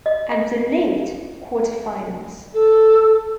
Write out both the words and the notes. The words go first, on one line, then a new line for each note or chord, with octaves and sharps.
Absolute: Quarter finals.
D#5
A4